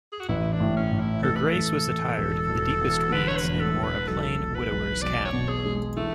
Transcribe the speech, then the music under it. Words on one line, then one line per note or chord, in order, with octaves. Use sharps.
Her grace was attired in the deepest weeds, and wore a plain widower's cap.
G#4
F#4
A1 E4
D4
A2
C#4
A2
E4
A1 A4
B4
A4
A1
A1
E1
E1
E2
D3 B4
C#5
B4
E1
A4
E1
B4
B1 A4
B1
B4
B1
B1 D5
C#5
B2
G#4
G#3
E3 A3